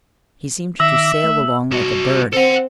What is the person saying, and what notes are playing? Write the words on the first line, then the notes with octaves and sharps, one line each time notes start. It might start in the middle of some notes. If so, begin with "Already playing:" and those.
He seemed to sail along like a bird.
D#3 E5 D6 E6 A#6
A3
C2 F#4
C4 A4 C5 F#5